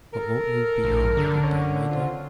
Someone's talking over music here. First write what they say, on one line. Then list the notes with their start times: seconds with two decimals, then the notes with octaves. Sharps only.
"But won't you be rather dull, my dear?"
0.13 A4 A#4
0.84 A#1
1.17 D3
1.43 C#4
1.90 C4 F4